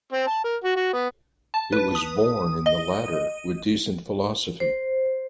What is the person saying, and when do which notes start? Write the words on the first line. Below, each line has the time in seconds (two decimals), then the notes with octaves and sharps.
It was borne in the latter with decent philosophy.
0.13 C4
0.27 A5
0.44 A#4
0.64 F#4
0.76 F#4
0.93 B3
1.54 A5
1.72 B4
1.95 D#6
2.66 D#5
4.60 C5